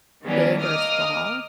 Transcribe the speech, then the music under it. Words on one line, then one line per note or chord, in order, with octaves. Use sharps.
big or small?
D#3 E3 G3 B3 C#4 D4
A#3 D#5 D6 D#6 F6